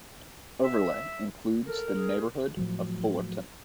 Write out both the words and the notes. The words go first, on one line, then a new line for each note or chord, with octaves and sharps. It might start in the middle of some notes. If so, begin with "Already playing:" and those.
Overlea includes the neighborhood of Fullerton.
E5
A4 A#4
G#4
A2 F3 F#3